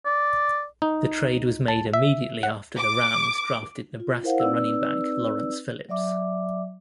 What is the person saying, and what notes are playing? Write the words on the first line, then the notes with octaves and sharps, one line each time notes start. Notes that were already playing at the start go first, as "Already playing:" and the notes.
The trade was made immediately after the Rams drafted Nebraska running back Lawrence Phillips.
D5
D#4
A5
E5
F#5
D6
F4
E4 A#4 C5 F5 F#5
C4 D#4 B4 D5 E6
F#3 D5 E5 D6